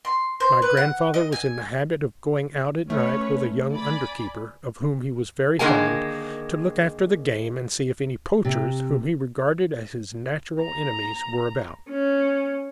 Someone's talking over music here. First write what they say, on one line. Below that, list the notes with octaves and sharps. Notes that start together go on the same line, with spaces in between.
My grandfather was in the habit of going out at night with a young under-keeper, of whom he was very fond, to look after the game and see if any poachers, whom he regarded as his natural enemies, were about.
C6
C5
B4
F#5
D#5
G#5
A3 C#4 B4 C#5
D5 G#5 B5
D3 D#3 G#3 A#3 G#5
C3
A#5
C#4